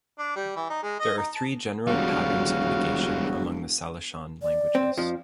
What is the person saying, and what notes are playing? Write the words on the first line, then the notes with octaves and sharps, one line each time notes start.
There are three general patterns of negation among the Salishan languages.
D4
G3
E3
D#4
G#3
D#5
D#4
A5
E1 D2 C#3 F3 G3 F#4 F5
D5
C4
F2 F3